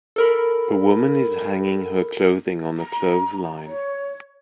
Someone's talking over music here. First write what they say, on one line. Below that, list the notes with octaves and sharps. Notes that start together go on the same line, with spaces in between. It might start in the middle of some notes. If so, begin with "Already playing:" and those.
A woman is hanging her clothing on a clothesline.
A4 A#4 B5
A#5
C#5